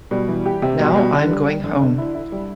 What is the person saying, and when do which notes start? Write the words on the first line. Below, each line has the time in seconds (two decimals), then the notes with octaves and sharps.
Now I'm going home.
0.11 B2 G3
0.28 E3
0.46 G4
0.62 C3 G4
0.80 B2 G3
0.96 B2 G3
1.13 D3 G3
1.31 G3
1.47 G3
1.64 D3
1.81 D3
1.98 E4
2.15 E4
2.32 G3